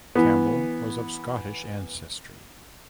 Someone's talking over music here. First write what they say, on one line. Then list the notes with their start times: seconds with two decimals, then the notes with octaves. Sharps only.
Campbell was of Scottish ancestry.
0.15 E3 B3